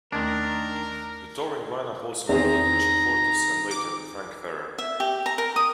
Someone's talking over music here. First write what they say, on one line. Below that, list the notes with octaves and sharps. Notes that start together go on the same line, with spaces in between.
The touring lineup also included Richard Fortus and later, Frank Ferrer.
D#2 D#3 A3 C#4 D4 A#4
E2 D#3 C4 G#4 A#5
D6
E5
G4
A#5
A#4
D#6